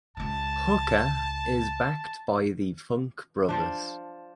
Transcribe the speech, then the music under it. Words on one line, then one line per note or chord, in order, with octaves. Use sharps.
Hooker is backed by the Funk Brothers.
C#2 C#3 A5
F3 D4